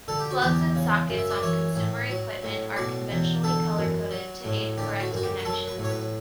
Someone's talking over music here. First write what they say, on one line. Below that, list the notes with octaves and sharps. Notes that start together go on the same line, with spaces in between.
Plugs and sockets on consumer equipment are conventionally color-coded to aid correct connections.
D3 A4
G4
F#4
E2 G4
C#3
F#2
E5
D5
E3 C#5
A2
F#3
A2
B2 D5
E2
D3 A4
F#2
F#3
A2
D3 G4
F#4
F#2 F#4
G4
B4
F#3 A4
B4
A2
C#5
B4